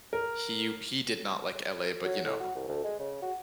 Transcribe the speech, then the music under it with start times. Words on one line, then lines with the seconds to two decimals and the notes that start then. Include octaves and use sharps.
he he did not like LA, but, you know
0.13 A#4
2.04 F#3
2.25 A2
2.40 F#4
2.55 C2
2.68 D2
2.84 G#3
3.00 C#3
3.22 F#4